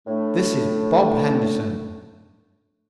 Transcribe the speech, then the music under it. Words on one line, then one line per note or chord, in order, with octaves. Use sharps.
This is Bob Henderson.
A2 A3 D4